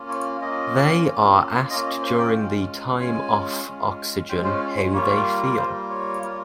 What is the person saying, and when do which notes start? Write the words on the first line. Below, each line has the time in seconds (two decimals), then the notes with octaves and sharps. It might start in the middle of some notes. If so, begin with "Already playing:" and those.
They are asked during the time off oxygen how they feel.
Already playing: A#3 C#4 F4
0.09 C#5
0.41 A#3 C#4 F4 D#5
1.05 A#3 C#4 F4
1.70 A#3 C#4 F4 D#5
1.86 D#5
2.02 C5
2.19 G5
2.35 G#3 C#4 F4
2.99 G#3 C#4 F4 G#5
3.64 G#3 C#4 F4
4.29 G#3 C#4 F4 G5
4.45 C5
4.61 C#5
4.76 C#5
4.93 G3 A#3 F4 C#5
5.57 G3 A#3 F4 C5
5.90 C#5
6.22 G3 A#3 F4